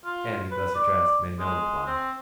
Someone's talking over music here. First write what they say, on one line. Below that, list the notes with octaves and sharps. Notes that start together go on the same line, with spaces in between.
Annie, thus addressed, made no reply.
F4
B4
D5
G#3
C4